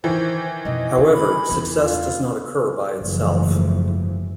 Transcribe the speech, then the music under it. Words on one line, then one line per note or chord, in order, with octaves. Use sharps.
However, success does not occur by itself.
D#3 E3 C5
F2 B2 D#5
D3 A4
B5
E2 A3
F4
F#1 G#2 E3 F3 A3